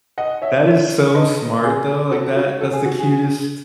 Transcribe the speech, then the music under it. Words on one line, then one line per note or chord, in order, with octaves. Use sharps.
That is so smart, though, like, that that's the cutest
D#5 F#5
C#5 E5
C#5 E5
B4 D#5
G#4
F#4 A4
F#4
A4
G#4
F#4
G#4